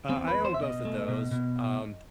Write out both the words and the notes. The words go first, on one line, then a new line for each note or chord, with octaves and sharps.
Uh, I own both of those. Um,
C4
E2
B4
E2
C5
E5
B2 D#5
A3
B2
B2